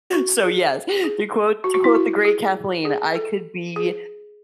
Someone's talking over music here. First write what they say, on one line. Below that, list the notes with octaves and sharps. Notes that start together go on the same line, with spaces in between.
So yes, to quote to quote the great Kathleen, I could be
F#4
G#4
G#4
F#4
F#4
E4
F#4
G#4
G#4
A4
G#4